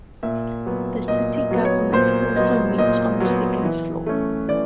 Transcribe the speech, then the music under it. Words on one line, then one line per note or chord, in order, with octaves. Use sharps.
The city government also meets on the second floor.
A#2 E5
F#3 B3
A#2 D#5
D#5
F#3 B3
C#5
A#2 C5
F#3 B3 D#5
A#2 D#5
F#3 B3
E3
A3 C#4
E3 D5